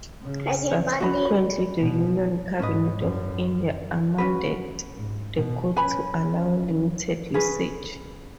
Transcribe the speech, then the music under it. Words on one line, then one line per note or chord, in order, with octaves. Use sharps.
Subsequently, the Union Cabinet of India amended the code to allow limited usage.
C#3
F#4 D#5 B5
B2
G#2 C#4 B4 D#5
F#2
C#4 F#4 B4
G#2
B2
C#4 B4 G#5 B5
C#4 G#4 B4